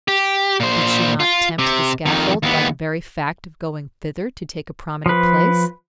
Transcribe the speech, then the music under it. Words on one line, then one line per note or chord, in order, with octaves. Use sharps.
Did she not tempt the scaffold by the very fact of going thither to take a prominent place?
G4
A#2 C5
F4
C3
F2 D#3
D#2 B3
F3 B4